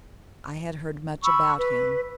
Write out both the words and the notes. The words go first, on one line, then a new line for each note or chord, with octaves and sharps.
I had heard much about him.
B5 C#6 E6
B4